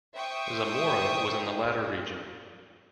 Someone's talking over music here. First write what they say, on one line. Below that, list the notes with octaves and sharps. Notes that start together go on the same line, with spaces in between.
Zamora was in the latter region.
C5 E5 G5 C#6 D#6